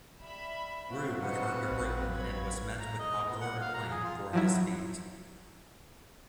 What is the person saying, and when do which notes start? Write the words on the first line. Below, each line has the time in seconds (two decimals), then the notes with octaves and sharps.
Riou returned to Britain and was met with popular acclaim for his feat.
0.22 G3 E5 B5
0.90 F#3 A#3 C4 F#4
1.23 C4 D#4 B4 C5 F#5 C#7
1.71 A1
2.11 B5 G#6
2.80 A#5
2.99 D#5
3.27 B3
3.41 F#5
3.61 F5
3.74 A#5
3.91 G#4
4.03 F4
4.33 F3 F#3 E4